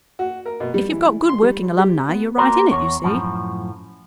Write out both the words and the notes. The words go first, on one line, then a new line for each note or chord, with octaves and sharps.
If you've got good working alumni, you're right in it, you see.
F#4
A#4
B2
G3
E3
C6
G3
G4
B3
A#3 B3 F#4 G#4 A#4 C5
E2 C#5
F#2 A2 F3